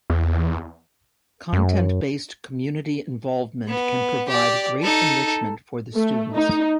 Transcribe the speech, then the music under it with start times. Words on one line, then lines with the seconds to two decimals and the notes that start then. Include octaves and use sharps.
Content-based community involvement can provide great enrichment for the students.
0.10 E2
1.53 F#2
3.68 B3
4.28 G4 D5
4.82 D#4 A4
5.96 A3
6.35 D#4